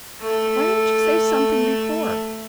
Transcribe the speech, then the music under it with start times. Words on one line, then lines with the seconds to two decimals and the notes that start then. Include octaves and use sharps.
Why didn't you say something before?
0.21 A3 E6